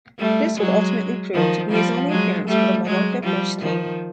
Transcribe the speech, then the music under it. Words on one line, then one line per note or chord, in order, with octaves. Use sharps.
This would ultimately prove to be his only appearance for the Mallorca first team.
G3 A3
F#3 G#3
D#3 F3
F3 G3
F#3 G#3
G3 A3
F#3 G#3
F3 G3
D#3 F3